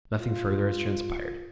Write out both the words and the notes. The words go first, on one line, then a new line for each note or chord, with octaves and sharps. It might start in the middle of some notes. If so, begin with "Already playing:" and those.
Nothing further has transpired.
F4